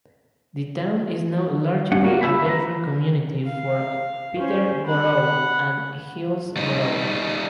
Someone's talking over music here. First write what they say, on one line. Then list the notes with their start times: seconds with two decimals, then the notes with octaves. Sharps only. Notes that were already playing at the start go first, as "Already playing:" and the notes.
The town is now largely a bedroom community for Peterborough and Hillsborough.
1.92 C#4 F#5
2.04 A#3 F4 F#4
2.21 E5 B5
2.46 B4 A#5
3.45 F5
4.38 C#4 C5
4.86 F#5 B5
6.57 G3 D#4